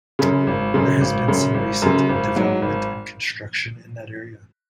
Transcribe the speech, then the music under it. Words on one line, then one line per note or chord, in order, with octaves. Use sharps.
There has been some recent development and construction in the area.
F#2 C#3
G#1
F#2 C#3
G#1
F#2 C#3
G#1
F#2 C#3
G#1
G#2 F#3
G#1